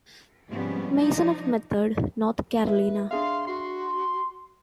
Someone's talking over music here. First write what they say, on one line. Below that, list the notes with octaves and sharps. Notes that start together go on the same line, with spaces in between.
Mason of Method, North Carolina.
G#2 C3 F3 G3 B3 C#4
F3 D4 D#4
E4 B4 E5
D4 G#4 E5 F5 C6
F#4 C6